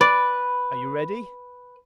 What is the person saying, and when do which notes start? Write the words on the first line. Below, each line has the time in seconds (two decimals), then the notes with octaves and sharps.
"Are you ready?"
0.01 B4 D5